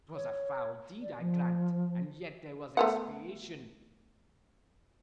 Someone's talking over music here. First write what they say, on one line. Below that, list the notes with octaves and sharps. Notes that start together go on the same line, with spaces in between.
'Twas a foul deed, I grant, and yet there was expiation.
C#5
D5
F3
A3 B3 F#5